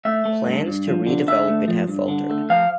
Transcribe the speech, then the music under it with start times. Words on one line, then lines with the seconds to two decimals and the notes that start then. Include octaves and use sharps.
Plans to re-develop it have faltered.
0.05 A3 E5
0.25 A3
0.46 G2
0.67 G2
0.87 F3
1.07 D3
1.28 D3 E5
1.48 A3
1.68 F3
1.88 G2
2.08 D3
2.30 A3
2.50 F3 F5